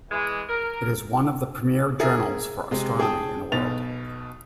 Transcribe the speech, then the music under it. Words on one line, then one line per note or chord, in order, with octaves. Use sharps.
It is one of the premier journals for astronomy in the world.
E3 G#3
A#4
G#4 A#4 E5 D#6
C3 G#3
G#4 G5 A5 D#6
B1 B2 A6 F7